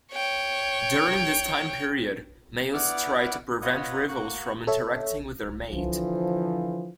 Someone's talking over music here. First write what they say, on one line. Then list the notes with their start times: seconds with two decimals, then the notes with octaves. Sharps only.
During this time period, males try to prevent rivals from interacting with their mate.
0.13 C#5 G5
2.74 B3 E4 D5 F#5 D6 F6
3.62 F4 B4 C#5 D#5 F#5
4.08 A#3 F#4 C#6 F#6
4.67 A4 C#5 E5
5.70 D3 E3 F3